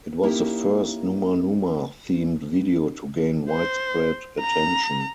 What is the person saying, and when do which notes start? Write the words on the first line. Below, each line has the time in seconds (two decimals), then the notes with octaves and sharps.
It was the first Numa Numa-themed video to gain widespread attention.
0.23 A#3 C#4 D#4 E4 G4 A#4
3.50 C5
4.40 A#5